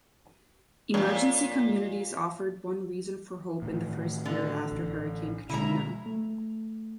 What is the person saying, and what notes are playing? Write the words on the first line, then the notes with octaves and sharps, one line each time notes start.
Emergency Communities offered one reason for hope in the first year after Hurricane Katrina.
F#2 A#2
A2 D#3
D3
A1
B2 D3 G#3 E4 A#5
A3